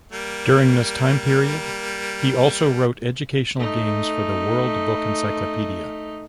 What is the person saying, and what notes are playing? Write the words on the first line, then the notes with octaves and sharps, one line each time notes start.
During this time period he also wrote educational games for the "World Book Encyclopedia".
G3 A#3
A3 D#4